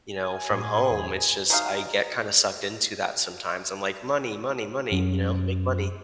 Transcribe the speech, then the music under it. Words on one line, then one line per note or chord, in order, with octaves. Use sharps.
you know, from home. It's just I get kinda sucked into that sometimes. I'm like, "Money, money, money," you know, "make money."
G#5
A2 G#4
E2
F#3 G#3 D#4 F5
F#2